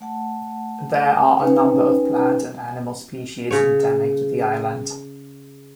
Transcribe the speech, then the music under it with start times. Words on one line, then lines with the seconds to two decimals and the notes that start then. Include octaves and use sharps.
There are a number of plant and animal species endemic to the island.
0.01 A3 F#5 A5
1.39 C#4 D#4 B4 C#5 G5 G#5
3.51 C#3 C#5